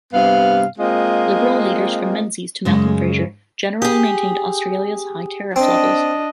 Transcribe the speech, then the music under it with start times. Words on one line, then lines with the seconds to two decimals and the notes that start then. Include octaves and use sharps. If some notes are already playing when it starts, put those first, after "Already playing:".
Liberal leaders from Menzies to Malcolm Fraser generally maintained Australia's high tariff levels.
0.13 G2 C3 B3 F5
0.78 G#3 A#3 C4 F4 D#5
2.65 F#2 C#3 G#3
3.82 G4 G#4 D#6
5.56 C4 D4 D#5